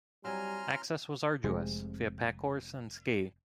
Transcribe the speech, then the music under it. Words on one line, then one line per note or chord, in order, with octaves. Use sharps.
Access was arduous - via packhorse and ski.
F#3 G3 C4 E4 G#5 A#5 C6 F6
F1 C3 G#3 C4